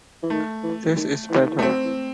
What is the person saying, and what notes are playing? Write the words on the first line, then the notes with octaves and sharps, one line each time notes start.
This is better.
E3
D#3 A3
E3
D#3
E3
D#3
E3
A3
F#3 C4
E3